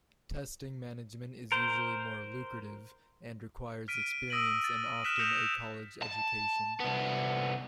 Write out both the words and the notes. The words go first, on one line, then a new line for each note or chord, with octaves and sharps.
Testing management is usually more lucrative, and requires experience and often a college education.
A#4 C5
F6 B6 D7 D#7
D#6 E6 A#6 D7 D#7 F#7
A6
F6 F#6 B6 E7
D#6 G6 A#6 C#7 F7
A5
C2 B3